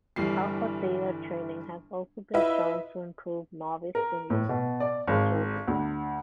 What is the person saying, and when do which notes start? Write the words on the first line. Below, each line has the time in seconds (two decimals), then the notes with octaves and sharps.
Alpha-theta training has also been shown to improve novice singing in children.
0.16 G1 E3 G3 C7
2.34 E4 F4 B4 D#5 E5
3.95 A#4
4.30 A2
4.49 B2
4.80 D5
5.07 G#1
5.68 D2